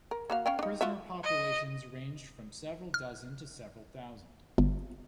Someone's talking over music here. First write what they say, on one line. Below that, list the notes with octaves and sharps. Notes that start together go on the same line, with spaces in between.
Prisoner populations ranged from several dozen to several thousand.
A#4
A#3 F#4 F5
C#4 F5 G5
D4 D#4
F4 F#4 E5
D#5
F6
G1